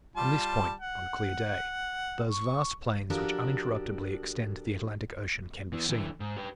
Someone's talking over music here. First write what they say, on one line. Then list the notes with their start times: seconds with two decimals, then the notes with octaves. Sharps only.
From this point, on a clear day, those vast plains which uninterruptedly extend to the Atlantic Ocean can be seen.
0.16 G3 F4 A5
0.80 F#5
2.30 C#6
3.10 F3 D4 F#4 G4 A4 A#4
5.73 E3 B3
5.89 D3 E3
6.20 G#2
6.37 G4 B4